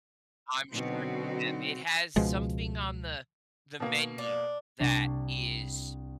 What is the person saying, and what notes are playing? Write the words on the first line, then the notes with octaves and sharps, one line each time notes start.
I'm sure you have. It has something on the the menu that is
B2 D3 F#3 C4 D#4 F#4
C#2 B2 F3 G#3
B2 A#3
D4
C2 D4 C#6 C7